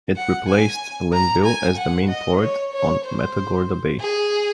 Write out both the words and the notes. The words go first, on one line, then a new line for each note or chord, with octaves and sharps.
It replaced Linnville as the main port on Matagorda Bay.
F#5
G#5
A#5
G#5
F#5
D#5
C#5
C#5
C5
G#4